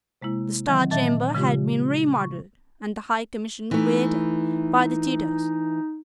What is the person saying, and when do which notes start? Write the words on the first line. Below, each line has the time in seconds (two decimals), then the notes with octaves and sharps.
The Star Chamber had been remodelled, and the High Commission created, by the Tudors.
0.22 C3 G#3 A#3 E4
0.66 D#3 E3 F#3 C4
0.91 A#2 D#3 D#5 E5 A5 A6
1.34 C#3 F3 G#3 F4 G4
2.17 C#6
3.71 E3 A3 D#4